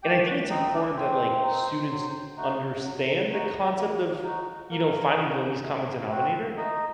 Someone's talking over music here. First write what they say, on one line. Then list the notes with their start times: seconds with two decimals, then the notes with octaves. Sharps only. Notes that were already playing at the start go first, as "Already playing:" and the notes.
and I think it's important that, like, students understand the concept of, you know, finding the least common denominator
0.03 A3 G4 G5
0.26 F#4 F#5
0.49 C4 D#4 D#5
0.73 D4 D5
0.96 A3 C4 C5
1.43 C4 D#4
1.91 F#3
2.37 A3 D#4 F#4
2.84 F#3
3.30 A3 D#4 F#4
3.77 A#3
4.24 D#4 F#4
4.70 A#3 A#4
5.17 D#4 F#4
5.64 A3
6.11 C4 F#4
6.57 A3 D#4 D#5